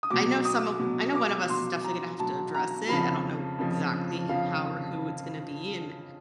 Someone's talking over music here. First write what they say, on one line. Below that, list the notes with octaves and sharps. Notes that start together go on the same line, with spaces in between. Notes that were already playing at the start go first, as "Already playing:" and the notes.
I know some of I know one of us is definitely gonna have to address it. I don't know exactly how or who it's gonna be, and
D#6
B2 F#3 D6
D#6
B2 F#3
D6
B2 F#3 C6
A#5
B2 F#3 A5
A#5
F2 C#3 F3 B5
F2 C#3 F3
F2 C#3 F3 F5